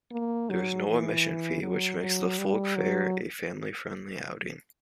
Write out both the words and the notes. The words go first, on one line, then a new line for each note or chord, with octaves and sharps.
There is no admission fee which makes the Folk Fair a family friendly outing.
A#3
F#3
E3
F#3
F#3
G3
F#3